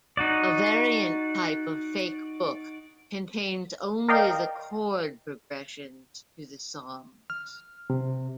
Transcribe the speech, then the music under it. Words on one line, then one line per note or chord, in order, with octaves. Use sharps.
A variant type of fake book contains only the chord progressions to the songs.
D#4 F#4 D5
A#4 D5 D#5 F5 G5
F6
C3